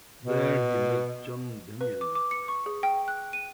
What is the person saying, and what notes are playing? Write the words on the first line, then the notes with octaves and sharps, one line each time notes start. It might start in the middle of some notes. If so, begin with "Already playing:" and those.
There he met John Demjanjuk.
B2
B4
D6
D6
C#7
C#6
G#4
G5
F#6
D#7